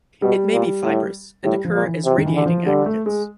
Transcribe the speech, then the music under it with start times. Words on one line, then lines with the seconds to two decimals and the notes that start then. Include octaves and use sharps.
It may be fibrous and occur as radiating aggregates.
0.22 B2 G3
0.53 A#2
0.84 A2
1.44 A2 G3
1.65 F3
1.75 A#2
1.84 E3
2.05 C3
2.18 D#3
2.26 E3
2.35 D3
2.46 F3
2.66 D3 G3
2.86 A3
3.06 G#3